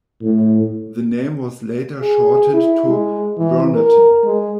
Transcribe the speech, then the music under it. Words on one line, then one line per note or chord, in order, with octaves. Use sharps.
The name was later shortened to "burnotan".
A2
G#4
E4
G#3
E3
A#4
G#3